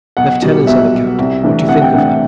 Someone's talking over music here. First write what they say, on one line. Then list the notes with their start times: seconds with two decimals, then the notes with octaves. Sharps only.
"Leftenant," said the captain, "what do you think of her?"
0.17 B1 F#5
0.42 B2 G3
0.67 B1 E5
0.93 B2 G3
1.19 C2
1.43 C3 E3 A3 D4
1.69 C2 F#5
1.82 G5
1.93 C3 E3 A3 D4 F#5